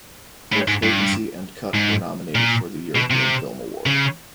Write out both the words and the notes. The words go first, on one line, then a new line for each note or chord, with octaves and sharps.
Both Vacancy and Cut were nominated for the European Film Award.
A2
G#2
G2
G#2
A#2
B2
C3
C#3